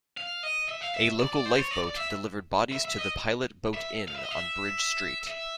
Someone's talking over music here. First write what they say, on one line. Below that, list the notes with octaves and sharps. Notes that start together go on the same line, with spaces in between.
A local lifeboat delivered bodies to the Pilot Boat Inn on Bridge Street.
F5
D#5
E5
F5
E5
D5
D5
C5
C#5
D5
D5
E5
E5
E5
D#5
E5
F5
E5
D#5
E5
E5